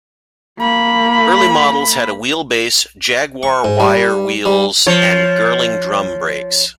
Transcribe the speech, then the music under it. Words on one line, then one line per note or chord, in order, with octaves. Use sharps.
Early models had a wheelbase, Jaguar wire wheels, and Girling drum brakes.
A#3 B5
C#6
G#2
G3
G3
F3 C#5